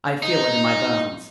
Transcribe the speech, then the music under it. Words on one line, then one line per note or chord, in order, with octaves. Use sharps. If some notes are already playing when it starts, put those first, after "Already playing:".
"I feel it in my bones."
D#4